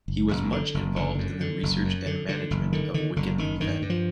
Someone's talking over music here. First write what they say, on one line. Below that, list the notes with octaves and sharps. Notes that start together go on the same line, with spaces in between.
He was much involved in the research and management of Wicken Fen.
F#1
F#1
D3
F#1
F#1 D3
F#2
D3
F#1
F#2
D3
D3
F#1
D3 D#3
D3 D#3
F#1 D3
F#1 D#3
G2 D#3
G2
F3